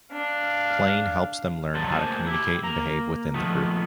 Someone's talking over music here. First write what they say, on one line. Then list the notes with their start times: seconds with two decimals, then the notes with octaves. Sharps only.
Playing helps them learn how to communicate and behave within the group.
0.12 D4 F5
1.74 G#2 F#3 B3 D5 A5 C6
1.92 D2 A#3 C5 G#5 A5
2.27 E4 G4
2.63 A#3 A#5
3.34 A#2 D#3 F3 A3 B3